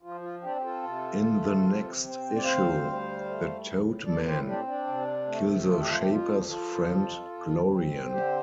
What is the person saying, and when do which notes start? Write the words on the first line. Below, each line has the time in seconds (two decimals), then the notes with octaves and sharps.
In the next issue, the Toad Men kill the Shaper's friend, Glorian.
0.02 F3 F4
0.22 F4
0.42 C4 D4 G4
0.56 G4
0.63 F4 A4
0.83 C3
1.22 A3
1.63 C3
2.04 C4
2.36 D5
2.44 D2 C5 F5
2.85 G3
3.25 A3
3.66 A2
4.05 A2 A4 D5
4.26 G4 C5
4.46 C4 D4 G4
4.67 D4
4.87 C3
5.27 A3
5.67 F2 F4
5.78 G4
5.88 F4
6.00 G4
6.09 F3 F4
6.48 F3 F4 A4
6.89 F2
7.30 F2
7.70 C4
8.10 D3 G4 C5